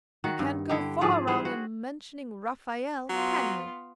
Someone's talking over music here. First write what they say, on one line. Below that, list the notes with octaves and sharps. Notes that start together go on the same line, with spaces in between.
'You can't go far wrong in mentioning Raphael, can you?
D#3 F#4
G2
D3 E4 G4
G#2 F3 G#4 D5
E3 G3 G#4 C5
F#4
F#3 B3 F4